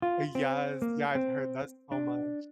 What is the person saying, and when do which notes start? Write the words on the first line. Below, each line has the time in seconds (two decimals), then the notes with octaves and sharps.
Eh, yes, yeah, I've heard that so much.
0.02 F4
0.35 C4
0.82 A#3
1.15 C4
1.92 D4